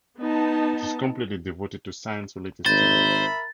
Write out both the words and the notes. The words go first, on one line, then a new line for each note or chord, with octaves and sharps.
It is completely devoted to science-related studies.
B3 D#4 A5
G#1 A#4 C5 E5 B5 A6